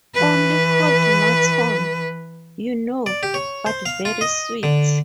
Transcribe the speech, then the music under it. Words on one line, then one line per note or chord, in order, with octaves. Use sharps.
Only cold mutton, you know, but very sweet.
E3 B4
D5
G4
C#5
C5
F5
F4
D#5
D3